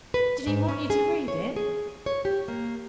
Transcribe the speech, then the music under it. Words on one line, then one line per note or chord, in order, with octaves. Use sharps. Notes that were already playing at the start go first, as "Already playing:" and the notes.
"Did he want you to read it?"
B4
G#2
C#4
G#4
C#5
G#4
C#5
G4
A#3